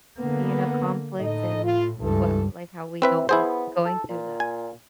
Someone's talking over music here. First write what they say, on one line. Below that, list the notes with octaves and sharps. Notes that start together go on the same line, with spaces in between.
you know, conflict and what like, how we don't like going through that.
D3 A#3 B3
A2 D#4 A4 D#5
F4
C#2 G2 E3 A4
E3 C4 B4 E5
B3 E4 G#4 C5
A4
A#2
G#5